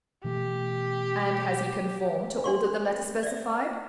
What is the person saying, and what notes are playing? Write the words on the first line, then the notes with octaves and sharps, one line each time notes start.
"And has he conformed to all that the letter specified?"
B2 E3 A3 G4
D4 C6 C#6
D5 E5